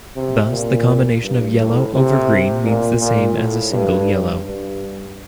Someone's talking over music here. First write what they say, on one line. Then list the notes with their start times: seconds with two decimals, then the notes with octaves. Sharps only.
Thus the combination yellow over green means the same as a single yellow.
0.16 C3
0.51 A#2
1.23 G2
1.58 A2
1.94 C3
2.64 A#2
3.00 A#2
3.35 A2
3.71 G2
4.41 G2